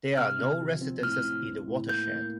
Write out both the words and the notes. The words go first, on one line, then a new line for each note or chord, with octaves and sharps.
There are no residences in the watershed.
C3 F6
C3
F3
C4
A2 F6
A2
A2
A2
A#3 G6
A#3